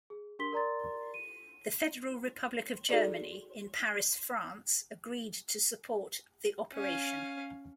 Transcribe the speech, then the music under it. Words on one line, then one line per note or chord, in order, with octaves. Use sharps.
The Federal Republic of Germany in Paris, France, agreed to support the operation.
G#4
D4 G4 A#4 C6 B6 G7
A#4 D5 A#5 C6 A6
D#7
D#4 F#4 G#4 A4 D5 D#5
C#4 F5